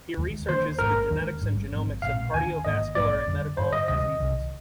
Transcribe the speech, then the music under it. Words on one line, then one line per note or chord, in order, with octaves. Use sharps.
He researches the genetics and genomics of cardiovascular and metabolic diseases.
D#2 D#3 G#3
D#2 D#3 A#3 D4 C5
G#1 G#2 D#3 A#3 A#4
D#2 D#3 G#3 D4
G#1 G#2 D#3 G3
G#1 G#2 F3 C4
A#1 A#2 G#3 C4 F5
D#2 D#3 A#3 D4 G#5
G#1 G#2 D#3 A#3 D#5
A#1 G#2 F3 A#3 D5
F2 D3 G3
G2 D3 G3 C5
D#5
D2 C3 D#3 G3 D#5
C2 C3 D#3